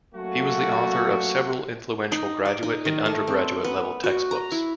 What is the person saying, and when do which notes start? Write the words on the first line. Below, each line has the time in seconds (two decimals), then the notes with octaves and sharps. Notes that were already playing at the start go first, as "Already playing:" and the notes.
He was the author of several influential graduate and undergraduate level textbooks.
0.15 F#3 A3 A#3 C#4 F#4
2.12 D#4
2.45 D5
2.63 D#4
2.85 D#3
3.06 A3
3.27 C4
3.64 B3
4.04 F#4
4.31 A#5
4.52 E4